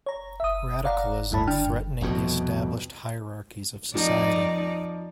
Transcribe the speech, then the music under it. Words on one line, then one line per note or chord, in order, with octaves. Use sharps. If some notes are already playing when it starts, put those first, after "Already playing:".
Radicalism threatening the established hierarchies of society.
C#5 A#5
E5 D#6
C#5 D5 F5 F#5 A#5
D2 G2 A3 E4 A5 B5
D3 D4 G5 F6
G2
F1 C2 F2 B2
F2 F3 D#4 D5